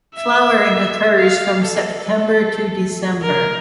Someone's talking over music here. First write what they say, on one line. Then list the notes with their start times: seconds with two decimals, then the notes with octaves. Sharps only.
Flowering occurs from September to December.
0.15 E5
1.18 F5
1.68 A4
3.22 A#4